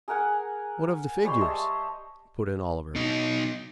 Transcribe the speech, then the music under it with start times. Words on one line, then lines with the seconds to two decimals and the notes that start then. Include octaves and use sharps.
"What of the figures?" put in Oliver.
0.08 G#4 A#4 F#5 G#5
1.25 G3 G#3 C#5 C6
1.41 D#5 E5 A5 D#6
2.95 B2 D#4